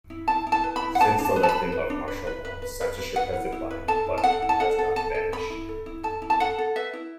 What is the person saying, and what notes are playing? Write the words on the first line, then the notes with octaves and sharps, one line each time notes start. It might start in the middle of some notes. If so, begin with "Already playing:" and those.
Since the lifting of martial law, censorship has declined but has not vanished.
E4
E4 A5
E4
A5
B4
B5
E4
F#5
B4 A5
D4
A5
B4
A5
B5
B4
B4
D4
B4
B4
B4
B4
B4
B4
B4 F#5
E4
E4
B4
A4 A5
E4
A5
A4 F#5
E4
A5
A4 F#5
A4
A4 A5
A4
A4 B5
E4
A4
E4
A4 A5
E4
A5
A4 F#5
A4
B4 E5
E4